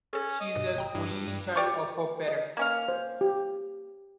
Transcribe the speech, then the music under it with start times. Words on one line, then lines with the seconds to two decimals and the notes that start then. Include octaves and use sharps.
She is an only child of her parents.
0.13 C#4 G#4 A4
0.40 D#5
0.55 G2 B2
0.76 G#1 G5 A#5
0.95 G2
1.56 G4 D5 C#6
2.28 D#5
2.57 A#3 C#4 F5
2.88 C5
3.21 G4